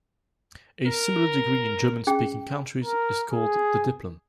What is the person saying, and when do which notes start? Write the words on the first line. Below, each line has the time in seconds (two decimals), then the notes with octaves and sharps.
A similar degree in German-speaking countries is called the "Diplom".
0.87 A#4
2.07 C#4 G#4 G5
2.84 A#4
3.31 G#4